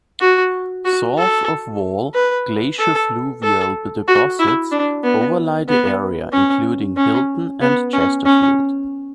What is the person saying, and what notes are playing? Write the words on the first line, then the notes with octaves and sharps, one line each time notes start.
South of Wall glaciofluvial deposits overlie the area including, Hilton and Chesterfield.
F#4
F#4
A4
B4
A4
A4
F#4
E4
D4
B3
B3
C#4
C#4
B3
C#4
C#4